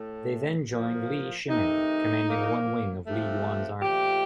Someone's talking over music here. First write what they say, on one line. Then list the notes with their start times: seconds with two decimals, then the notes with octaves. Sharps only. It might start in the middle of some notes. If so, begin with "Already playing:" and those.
They then joined Li Shimin, commanding one wing of Li Yuan's army.
Already playing: A2 A3
0.68 A2 F3 A#3
1.47 C3 D#3 A3 D#4
2.26 A#2 F3 A#3
3.03 C3 F3 A3
3.81 A#2 F3 A3 G4